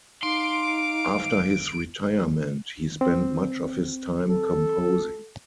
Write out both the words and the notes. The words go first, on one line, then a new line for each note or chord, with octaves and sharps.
After his retirement, he spent much of his time composing.
D#4 F5 C6 D6 D7
C4
A4